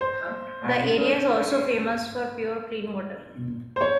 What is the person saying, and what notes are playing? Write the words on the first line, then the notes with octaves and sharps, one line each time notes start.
The area is also famous for pure, clean water.
C5
C5
C#5